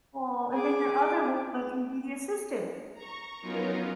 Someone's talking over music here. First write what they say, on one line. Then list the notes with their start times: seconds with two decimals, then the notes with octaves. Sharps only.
Aw, and then your other one can be the assistant.
0.53 G#4 D6
2.94 A#5 C#6
3.41 F#3 B3 C#4 D#4 F4 A#4